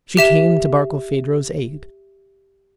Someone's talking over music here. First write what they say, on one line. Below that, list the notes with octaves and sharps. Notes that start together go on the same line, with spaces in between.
She came to Barkilphedro's aid!
G4 E5 E7